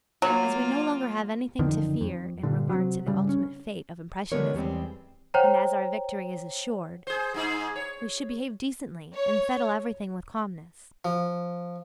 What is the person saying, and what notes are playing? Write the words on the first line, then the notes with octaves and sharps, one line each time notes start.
As we no longer have anything to fear in regard to the ultimate fate of Impressionism, and as our victory is assured, we should behave decently and settle everything with calmness.
F#3 A#3 F4
F#1 F2 D3 D#3
F2
G2 A#2 D3
C3 F#3
G2 C#3 G3
C#4
D3 G3 G#3 B3 A#4 C#5
E2 G3 G#3 C4
C5 C#5 F#5 G5 A#5
G#4 C5
G#2 D#4 G#4
C#5
C#5
F3